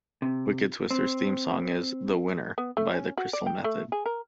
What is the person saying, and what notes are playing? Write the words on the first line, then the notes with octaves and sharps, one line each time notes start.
Wicked Twister's theme song is "The Winner" by the Crystal Method.
C3
C4
B3
A3
C#4
F#4
D5
G5
A3
G#4
A#4